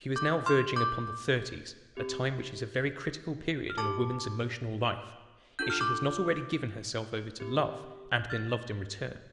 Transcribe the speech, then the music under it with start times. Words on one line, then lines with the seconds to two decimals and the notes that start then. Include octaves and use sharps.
She was now verging upon the thirties--a time which is a very critical period in a woman's emotional life, if she has not already given herself over to love and been loved in return.
0.16 D4 A4 D6 G6
0.46 C6 F6
0.76 D6 G6
1.97 C4 G4
3.70 F6
3.78 D4 G4 A5 D6
5.59 D4 F4 A4 G6
5.70 F6
5.80 D6 G6
7.40 C4 G4
8.30 F6 A6